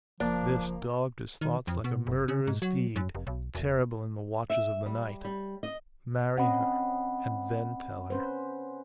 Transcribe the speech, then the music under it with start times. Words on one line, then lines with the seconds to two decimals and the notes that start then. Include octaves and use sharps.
This dogged his thoughts like a murderer's deed, terrible in the watches of the night. Marry her, and then tell her.
0.20 F#1 F3 A#3 D4
1.41 D#3
1.67 F2
1.84 B2
2.07 F#1
2.28 C#3
2.47 G#2
2.62 F#3
2.96 F#2
3.15 F1
3.27 B1
3.55 E1
4.50 E5
4.86 G3
5.25 G3
5.63 D#5
6.38 C4 C#4 D#5 F#5 B5
8.10 C#4 B4 C5